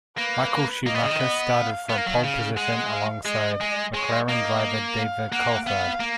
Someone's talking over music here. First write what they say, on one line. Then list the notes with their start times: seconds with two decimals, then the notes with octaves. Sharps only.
Michael Schumacher started from pole position alongside McLaren driver David Coulthard.
0.17 A#3 B4
0.86 A#3 D#5
0.95 B3
1.03 C#3
1.11 D#3
1.20 B3
1.55 F5
1.88 B3 F5
1.98 A#3
2.07 F#3
2.14 D#3
2.23 C#3 F5
2.57 G#3 F#5
2.92 F5
3.25 G#3 D#5
3.61 G#3
3.94 G#3 C#5
4.29 A#3 D#5
4.97 F5
5.32 A#3 F#5
5.67 B3 F5
6.00 A#3